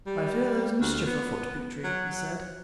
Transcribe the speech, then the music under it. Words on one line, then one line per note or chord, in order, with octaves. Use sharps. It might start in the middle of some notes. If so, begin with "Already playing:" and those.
"I fear there's mischief afoot, Petrie," he said.
G3
D2
B3
F#3